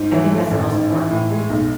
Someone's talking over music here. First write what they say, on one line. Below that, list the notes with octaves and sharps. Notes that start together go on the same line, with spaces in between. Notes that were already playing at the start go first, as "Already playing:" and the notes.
I think that's the most important.
Already playing: G#2
E3
A3
A1
G#2
E3
A2
G#3
B1